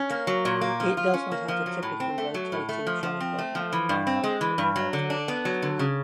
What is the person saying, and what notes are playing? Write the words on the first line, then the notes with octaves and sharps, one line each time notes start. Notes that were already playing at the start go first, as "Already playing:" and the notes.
It does not have a typical rotating tripod mount like other telephoto lenses.
Already playing: C#4
A#3
F#3
A#2
A#3
F3
F4
C#4
A#3
F3
F#3
A2
C4
A3
F#3
A2
A3
F3
F3
C4
A3
F3
E3
G2
C4
G#3
E3
G2
F#3
D3
D4
B3
F#3
D3
C#3